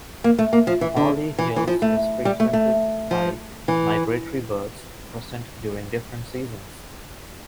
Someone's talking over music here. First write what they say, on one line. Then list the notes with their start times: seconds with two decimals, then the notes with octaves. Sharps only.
Pali Hill is frequented by migratory birds, present during different seasons.
0.24 A#3
0.39 A3
0.53 A#3
0.67 F3
0.81 E3
0.96 D3
1.38 E3
1.56 E3
1.68 F3
1.82 A3
2.25 G3
2.40 A3
2.53 A3
3.11 F3
3.68 E3